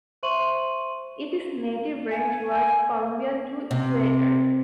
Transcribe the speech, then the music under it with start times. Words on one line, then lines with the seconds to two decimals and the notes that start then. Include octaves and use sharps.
It is native range was Colombia to Ecuador.
0.23 C5 E5 C6 C#6 D#7 F#7
2.11 G#5
3.71 C3